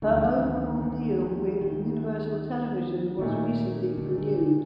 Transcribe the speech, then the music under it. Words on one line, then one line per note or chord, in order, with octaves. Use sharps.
Her overall deal with Universal Television was recently renewed.
D2 D3 D#3 A3
F3
D#3
F3
D#3
F3
D#3
D#3
F3
D#3
A#2 D#3 A3 D#4
D3
D3
D3